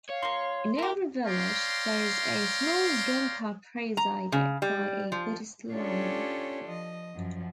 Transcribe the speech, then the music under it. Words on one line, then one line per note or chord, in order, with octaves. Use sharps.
In every village, there is a small Gompa presided by a Buddhist Lama.
C#5 F5
F3 A#3 C6
E4 G4 A#4
C#5 D5 F5 G5 A#5 C6
A#5
C#3
G3
F3
C#4 D4 F4 G4 A4 C#5
F3 D#5
F#2 F3